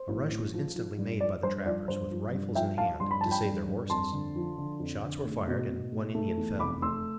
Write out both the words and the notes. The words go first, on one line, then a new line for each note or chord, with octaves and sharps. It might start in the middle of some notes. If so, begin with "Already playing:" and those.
A rush was instantly made by the trappers, with rifles in hand, to save their horses. Shots were fired and one Indian fell.
Already playing: C5
A1
A1
F3
F3
G2
F3 D5
G2 C5
F3 D5
G2 C5
F3
G2
F3 E5 G5
F3 F5 A5
G2 C6
B5
F3 A5
G5 B5
G2
G2
F2 A5 C6
D3
F3
D3
F2
D3
A3
B2
B2
A3
A3
E2
F1 B5 D6
A3 C6 E6